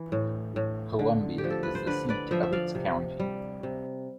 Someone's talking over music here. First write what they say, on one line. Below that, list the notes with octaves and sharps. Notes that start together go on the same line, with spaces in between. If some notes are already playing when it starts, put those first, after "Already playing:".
Columbia is the seat of its county.
Already playing: E3
A2
A2
D3
G4
F3
A4
B4
C5
D3 B4 D5
B4 D5
F3 C5 E5
E5
D5 F5
C3
G3
C3